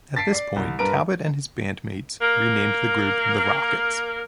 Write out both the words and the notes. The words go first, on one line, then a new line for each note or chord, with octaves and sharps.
At this point, Talbot and his bandmates renamed the group The Rockets.
A5 A6 B6 C7 D7
D5 C7
C2
G2 A#4 B4 A#5 D7
A#3 A#4